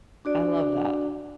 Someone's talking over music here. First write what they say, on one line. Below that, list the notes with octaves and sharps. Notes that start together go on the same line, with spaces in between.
I love that.
D4 F#4 D5